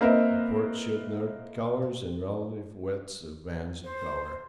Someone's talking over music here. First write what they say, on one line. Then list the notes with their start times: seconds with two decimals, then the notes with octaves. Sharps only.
Reports should note colours and relative width of bands of colour.
0.01 A#3 C4 A#4 B4 D#5 E5
3.84 C5